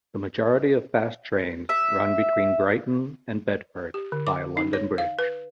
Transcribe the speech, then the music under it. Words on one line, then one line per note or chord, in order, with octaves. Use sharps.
The majority of fast trains run between Brighton and Bedford via London Bridge.
E5
G4
D3
D6
D#4
C#5
F5
B4